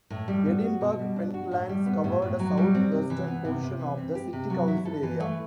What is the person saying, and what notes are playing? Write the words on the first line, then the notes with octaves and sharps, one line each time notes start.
Edinburgh Pentlands covered a south-western portion of the city council area.
A2
G3
B3
F#4
B2
G3
D4
F#4
A2
G3
B3
A2
A2
F#3
G3
C4
C3
E3
B3
C3
C3
E3
C4
G4
C3
F#3
E4
A4
E3
A3